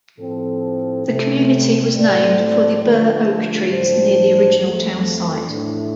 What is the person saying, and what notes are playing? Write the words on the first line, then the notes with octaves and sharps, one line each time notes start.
The community was named for the burr oak trees near the original town site.
A2 F3 C4 A4
C3 A3 C4
A2 A3 C4 A4 D5
D3 F3 A3 F4
A2 F3 D4 G4 C5
F2 F3 A3
A2 A3 D4